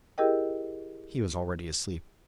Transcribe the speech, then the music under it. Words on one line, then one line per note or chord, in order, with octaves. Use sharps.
He was already asleep.
E4 G4 G#4 A#4 D#5 G5